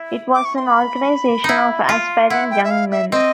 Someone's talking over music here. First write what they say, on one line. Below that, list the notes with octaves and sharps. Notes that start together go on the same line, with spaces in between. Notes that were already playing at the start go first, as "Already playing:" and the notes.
It was an organization of aspiring young men.
Already playing: E4
D6
C#6
C6
B5
D#4 E4
F4
E4 F#5
G5
E5
F5
E5
C4 D#5